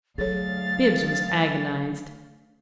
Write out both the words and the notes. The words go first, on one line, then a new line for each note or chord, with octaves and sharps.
Bibbs was agonized.
D2 F#3 G#4 A4 C#5 F5 A6